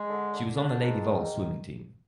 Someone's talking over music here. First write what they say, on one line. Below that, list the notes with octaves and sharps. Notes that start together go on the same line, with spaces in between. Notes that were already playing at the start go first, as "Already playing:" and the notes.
She was on the Lady Vols swimming team.
Already playing: G#3
D3
D3
D4
G#2
D#3